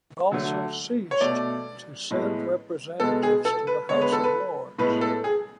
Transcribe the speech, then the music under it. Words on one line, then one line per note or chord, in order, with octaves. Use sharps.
It also ceased to send representatives to the House of Lords.
D3 F#3 A3
C#5
B2 A3 D5
A2 G#3 B3
B2 G#3 B3 A4
G#4
A4
B4
D3 G#3 B3 C#5
B4
A4
B4
A2 G#3 B3 B4
A4
G#4